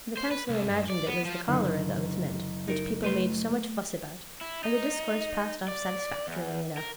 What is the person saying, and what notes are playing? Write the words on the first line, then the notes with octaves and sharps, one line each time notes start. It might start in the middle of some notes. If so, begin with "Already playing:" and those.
The Councillor imagined it was the cholera that was meant, which people made so much fuss about; and the discourse passed off satisfactorily enough.
C5
B4
C2
G2
D5
B3
F3
F#1 D3 D#3
D#4 A#4
A3 B4 C6
E4
D#4
D5
E2
A#4